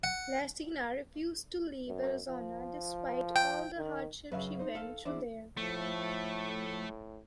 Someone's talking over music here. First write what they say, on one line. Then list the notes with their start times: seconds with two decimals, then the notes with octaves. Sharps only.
Larcena refused to leave Arizona, despite all the hardships she went through there.
0.04 F#5
1.88 F#2
2.28 F3
3.36 G5
3.77 D#3
4.32 F#2 C#3 B4 E5 F5
4.59 D#4 C5
4.75 A4 F5
5.05 E2 D4 E4 C5 D5
5.57 A2 F3 A3